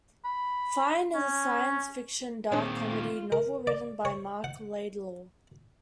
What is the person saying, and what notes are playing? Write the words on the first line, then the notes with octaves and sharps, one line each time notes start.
Fine, is a science fiction dark comedy novel written by Marc Laidlaw.
B5
C#4
A#2 D#3 C4 D4 G#4 C5 C#5
F4
A#4
D5
C#5
F#5